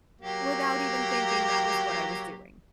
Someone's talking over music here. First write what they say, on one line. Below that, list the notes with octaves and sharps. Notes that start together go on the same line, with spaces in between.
without even thinking that was what I was doing.
F#3 A#3 G4